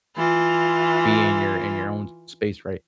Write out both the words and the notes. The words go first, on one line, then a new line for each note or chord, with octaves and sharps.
be in your in your own space, right?
E3 F4